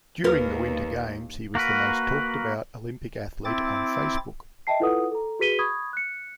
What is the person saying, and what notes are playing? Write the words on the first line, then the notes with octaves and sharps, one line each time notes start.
During the winter games, he was the most talked about Olympic athlete on Facebook.
D#2 A#4 B4
A#3 F#4 A#4 B4
C4 E4 D6 A6
D#5 E5 G5 A5 C7
E4 F4 A4 B4 F#5 D#6
A4 A#5
F#4 G#4 B4 B6 D#7 G7
B5 C#6 D#6 G#6
F#6 C#7